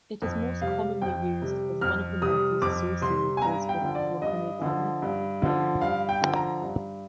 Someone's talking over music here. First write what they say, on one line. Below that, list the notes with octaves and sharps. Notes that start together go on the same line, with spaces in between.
It is most commonly used as one of the metals associated with mokume-gane.
F2
C3 G3 F5
F2 G5
C3 G3
F2 F6
C3 G3 D#6
F2 D6
C3 G3 C6
G#5
G2 A#5
G5
D3 F3
D5
G2 D#5
D3 F3
G2
D3 F3
G2 F5
G5
D3 F3
A#5
G2